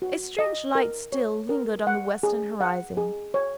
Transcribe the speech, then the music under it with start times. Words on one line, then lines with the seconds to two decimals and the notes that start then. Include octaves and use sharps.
A strange light still lingered on the western horizon.
0.02 F#4
0.39 D#5
0.75 A#4
1.12 C#5
1.49 A#4
1.87 F#5
2.23 G#4
2.61 F#5
2.97 G#4
3.34 C#5